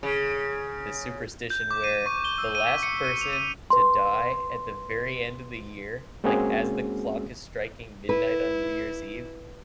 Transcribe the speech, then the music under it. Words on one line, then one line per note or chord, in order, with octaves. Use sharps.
this superstition where the last person to die at the very end of the year, like, as the clock is striking midnight on New Year's Eve,
C#3
G6
D6
D#7
C#6
G7
E6
D#7
B6
C#7
D#7
F7
D#7
B4 C6
G#3 A#3 C4 C#4 F#4 G#4
E4 B4